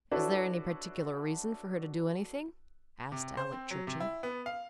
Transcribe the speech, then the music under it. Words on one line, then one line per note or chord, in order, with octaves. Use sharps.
"Is there any particular reason for her to do anything?" asked Alec Churchill.
D4 E4 F#4 A4 B4 C#5
C3
C5
C4
F#3
C3
E4
B3
F5